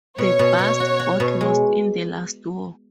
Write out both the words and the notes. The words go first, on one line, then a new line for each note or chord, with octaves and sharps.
The bust got lost in the last war.
B2 C#5
B2
B2
F#4
F#4
B2
G#3